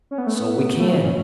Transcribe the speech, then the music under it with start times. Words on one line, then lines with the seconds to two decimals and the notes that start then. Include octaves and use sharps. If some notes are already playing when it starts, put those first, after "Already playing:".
So we can.
0.11 C#4
0.18 B3
0.27 A3
0.35 B3
0.80 A3
0.88 F#3
0.96 E3
1.05 C#4